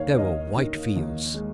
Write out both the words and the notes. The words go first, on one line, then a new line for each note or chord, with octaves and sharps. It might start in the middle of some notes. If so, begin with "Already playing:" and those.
There were white fields.
Already playing: D#2 D#3 C#5 F5
D#3 D#5
D#3
D#2
G#3